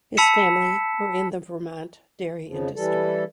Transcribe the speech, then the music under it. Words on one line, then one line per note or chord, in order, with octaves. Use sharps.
His family were in the Vermont dairy industry.
A5 B5 E6 B6 C#7 E7
F2 C#3 F3
E3 G3 A4